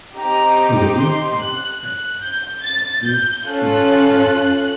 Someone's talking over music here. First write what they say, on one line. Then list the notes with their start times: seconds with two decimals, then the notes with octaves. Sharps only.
The wood does not crack when hot and is used to make smoking pipes.
0.15 C4 D#4 G4 A#5
0.98 C6
1.40 F#6
1.81 F#6
2.22 G6
2.64 A6
3.05 G6
3.46 C#4 F4 A4 F#6